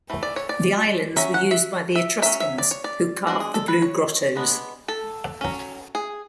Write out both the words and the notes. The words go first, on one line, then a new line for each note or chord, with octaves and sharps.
The islands were used by the Etruscans who carved the "Blue Grottos".
E3 A3
D5
C#5
D5
F#3 C#4 E5
F#5
E5
E5
F#3 C#4 E5
E5
D5
C#5
D5
G#3 D4 F#4
G#4
A4
B4
C#5
G#3 B3 D4
A4
F#3 C#4
G#4